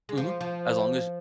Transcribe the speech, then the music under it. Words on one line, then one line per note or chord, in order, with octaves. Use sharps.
Mhm, as long as y
G#3
F3
F3